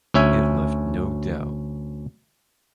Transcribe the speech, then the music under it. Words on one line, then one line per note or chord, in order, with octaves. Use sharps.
It left no doubt.
D2 C#4 E5 G#5